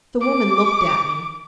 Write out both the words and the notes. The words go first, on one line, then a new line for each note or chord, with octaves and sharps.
The woman looked at me.
D6